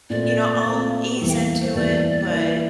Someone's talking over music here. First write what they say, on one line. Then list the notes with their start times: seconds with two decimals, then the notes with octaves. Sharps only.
you know, I'll ease into it, but
0.10 A#2 A3 C4 D5
0.65 A#2 A3 C4
1.13 G4
1.20 E2 E3 G3 A#3 A4
1.28 G5
1.35 F5
1.61 C5
1.75 E2 E3 G3 A#3 D5
2.30 E3 A#3 E4
2.44 D5